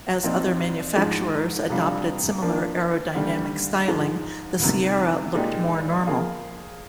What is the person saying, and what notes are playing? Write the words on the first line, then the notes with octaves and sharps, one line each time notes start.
As other manufacturers adopted similar aerodynamic styling, the Sierra looked more normal.
A#2 F3 C4 D#4
G#2 F3 G#3
F2 C3 G3 D4 F4
F3 A#3 D4
D#2 D3 G3
G#2 F3 G#3
D2 C3 D#3
A#2 G#3 D#4 G4
F3 A#3 F4 G#4